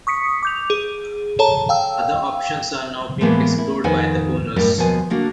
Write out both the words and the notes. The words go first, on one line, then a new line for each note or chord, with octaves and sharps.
Other options are now being explored by the owners.
C#6 D#6 B6 C#7
D6 G6 F7
G#4
A4 C#5 A5 A#5
F5 G5 E6
A2 E3 G#3 A#3 B3
E4
F2 D#3 B4 C5 F#5 G#5
F#2 A2 G3 A#4 D5
D#2 B2 F3 B4 G#5
D3 A#3 D4 F#4